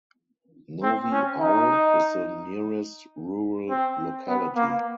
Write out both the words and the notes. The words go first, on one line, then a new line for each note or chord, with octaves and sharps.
Novy Aul is the nearest rural locality.
C4
C#4
D#4
C4
B3
A#3